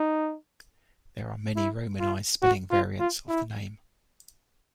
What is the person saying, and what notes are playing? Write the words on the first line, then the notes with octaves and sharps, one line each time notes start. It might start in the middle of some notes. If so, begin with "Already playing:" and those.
There are many Romanized spelling variants of the name.
Already playing: D#4
E4
F4
F#4
F4
F4
E4